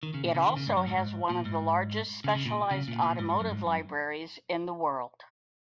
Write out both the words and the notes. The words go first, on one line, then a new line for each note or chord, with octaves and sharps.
It also has one of the largest specialized automotive libraries in the world.
D#3
C#3
A#2
C#3
D#3
C#3
G#2
F#2
G#2
G#2
A#2
G#2
C#3
C#3
A#2
C#3
A#2
A#2
G#2
G#2
F#2
G#2
F#2